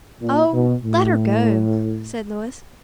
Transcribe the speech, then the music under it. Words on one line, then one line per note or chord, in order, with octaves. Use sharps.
"Oh, let her go!" said Louis.
A#2
B2
A2